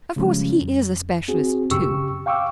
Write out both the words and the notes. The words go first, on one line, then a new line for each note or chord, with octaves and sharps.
Of course he is a specialist too.
C#3 F3 G3 G#3 C#4
F2
C4 F#4 G#4
F#2 C#3 G4 C#6 E6
F5 G5 C#6 D6 E6